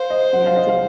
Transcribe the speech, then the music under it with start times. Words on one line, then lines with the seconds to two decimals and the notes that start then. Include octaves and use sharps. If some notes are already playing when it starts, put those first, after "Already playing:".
Yeah, that's a
Already playing: C5 F5
0.10 D#5
0.33 F#5
0.46 F5
0.57 D#5
0.69 F5